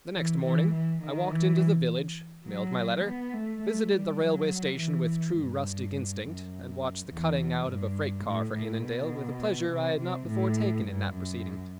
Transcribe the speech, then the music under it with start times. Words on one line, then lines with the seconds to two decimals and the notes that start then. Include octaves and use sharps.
The next morning I walked into the village, mailed my letter, visited the railway station with true rustic instinct and watched the cutting out of a freight car for Annandale with a pleasure I had not before taken in that proceeding.
0.14 E3
0.44 E3
0.73 E3
1.02 D#3
1.31 E3
2.46 F#3
3.05 B3
3.34 A3
3.62 A3
3.91 G3
4.20 F#3
4.77 E3
5.36 G2
6.23 F#2
7.09 E2
7.67 G2
8.26 A2
8.54 A2
8.82 B2
9.70 C3
9.98 C3
10.28 A2
10.86 G2
11.14 F#2